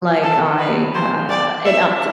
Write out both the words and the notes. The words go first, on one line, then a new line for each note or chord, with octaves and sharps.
like, I, uh an update.
A4
B4
C5
D5
E5